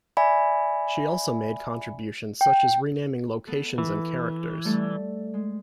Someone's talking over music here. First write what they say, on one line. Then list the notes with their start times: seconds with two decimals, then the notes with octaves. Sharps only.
She also made contributions such as renaming locations and characters.
0.17 D5 E5 G#5 B5
2.41 G5
3.47 B3 A4
3.78 E3
4.65 G3 A3 A4
5.34 G#3